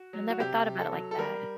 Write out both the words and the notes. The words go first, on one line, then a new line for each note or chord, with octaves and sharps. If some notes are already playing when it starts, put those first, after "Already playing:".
I never thought about it like that.
Already playing: F#4
F#3
F#4
C3 G4
C3
A4
F#3
A4
G3 A#4